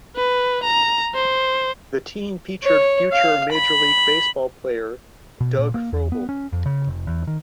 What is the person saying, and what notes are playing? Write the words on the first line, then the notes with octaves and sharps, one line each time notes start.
The team featured future Major League Baseball player Doug Frobel.
B4
A#5
C5
C#5
F5
B5
B2
A#2
A#3
E2
B3
C#4
F2
C#3
F1
E2
D#3